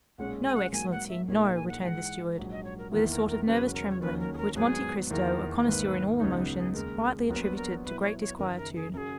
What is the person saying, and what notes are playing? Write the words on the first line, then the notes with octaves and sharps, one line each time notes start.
"No, excellency, no," returned the steward, with a sort of nervous trembling, which Monte Cristo, a connoisseur in all emotions, rightly attributed to great disquietude.
B1 A#2 G#3 C#4 F#5
G#5
F#5
G#2 F#3 A#3 G#5
F#5
E5
A#1 A#2 A#3 D#4 G#4 C#5
E5
G#5
F#5
G#2 E3 G#3 F#5 G#5
A#1 G#2 F#3
D#5
C#5
A#4
E2 D#3 A#3 E4 A#4
A#4
A#4
E1 E2 C#3 F#3 C#4 B4
B4
A#4
C#5
D#2 D#3 F#3 C#4 B4
A#4
G#4
A#4
G#2 F#3 B3 G#4
E2 D#3 A#3 E4 G#4 A#4
G#1 G#2 D#3 A#3 B4
C#2 C#3 F#3 B3 D#4 C#5
B4
G#4
D#2 C#3 G#3 A#4
A#1 A#2 F#3 B3 F#4 A#4
B4
A#4
B2 F#3 B3 E4 B4
C#5
C#5
F#1 F#2 D#3 A#4
A#4
G#4
F#2 C#3 F#3 G#4 A#4